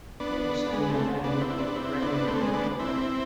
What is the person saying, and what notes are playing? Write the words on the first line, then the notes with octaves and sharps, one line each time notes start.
Paul sang in a band called Brown Paper Dog.
B3 D4
G#3 B3
A3 C4
B3 D4
C4 E4
B3 D4
C4 E4
B3 D4
A3 C4
G#3 B3
B3 D4
C4 E4